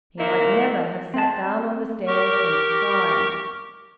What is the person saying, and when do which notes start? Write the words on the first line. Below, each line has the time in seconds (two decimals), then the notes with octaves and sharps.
He might never have sat down on the stairs and cried!
0.18 A#2 D#3 A#3 E4
1.14 C4 A5
2.07 G4 A#4 C#6